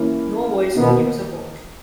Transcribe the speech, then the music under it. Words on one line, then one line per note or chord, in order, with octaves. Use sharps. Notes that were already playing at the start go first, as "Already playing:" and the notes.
No voice audio support.
Already playing: E3 A#3 C#4 E4
B2 D#3 A#3 B3 D#4